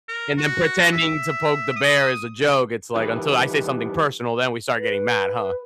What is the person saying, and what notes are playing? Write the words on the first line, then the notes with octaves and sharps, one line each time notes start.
And then pretending to poke the bear is a joke. It's like, until I say something personal, then we start getting mad, huh?
A#4
F#4
E5
D#6
D#3 E3 G3 D#4 B4
B4